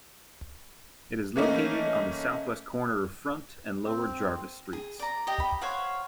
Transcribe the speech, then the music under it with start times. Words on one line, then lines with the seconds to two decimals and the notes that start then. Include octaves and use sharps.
It is located on the southwest corner of Front and Lower Jarvis Streets.
1.36 E3 A3 A#3 C#4 D#4
3.86 C4
4.73 G#4
4.99 D5 A#5
5.27 G4 D#5
5.40 B5
5.61 C5 C#5 F5 F#5